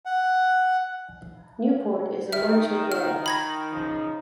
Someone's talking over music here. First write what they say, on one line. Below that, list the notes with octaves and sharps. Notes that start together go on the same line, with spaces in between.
Newport is a marcher borough.
F#5
D#3 E5 F6
F6
B5 G#6 A#6
C#3 F3 D#4